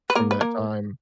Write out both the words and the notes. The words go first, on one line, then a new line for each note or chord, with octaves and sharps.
from that time.
B4
A#3 A#4
B4
A#3 A#4